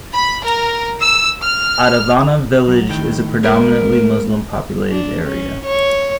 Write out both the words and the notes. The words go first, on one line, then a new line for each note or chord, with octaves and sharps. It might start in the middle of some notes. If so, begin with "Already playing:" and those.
Edavanna village is a predominantly Muslim populated area.
B5
A#4
E6
F6
F#3
A2 D#3 G5
G#3 A#3 A#4 B4
D4
C#4
C#5